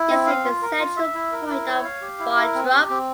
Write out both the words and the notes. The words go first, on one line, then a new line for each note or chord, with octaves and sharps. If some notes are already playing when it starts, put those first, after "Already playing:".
This is the central point of Barntrup.
Already playing: E4
C4
F5
F4
A#4
F4
E5
E4
A#4
E4
C#5
F5
G4
E4
A#4
C4
G4
C4